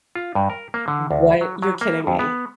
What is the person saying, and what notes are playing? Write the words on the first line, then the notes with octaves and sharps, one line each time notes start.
What? You're kidding me.
F4
G2
A#4
A#3
D3
D2
F#3
F#3
A#3
F2
B3